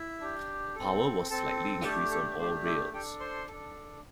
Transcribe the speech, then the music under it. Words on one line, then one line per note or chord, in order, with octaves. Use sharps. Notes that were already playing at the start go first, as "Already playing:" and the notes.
The power was slightly increased on all rails.
Already playing: E4 E5
D4 G4
C4 A4
C4 A4 A5
A3 D4 G4 A4 A5
A4
A3 D4 G4 C5
E4 E5
D4 G4 A4 G5
C5 C6
D4 A4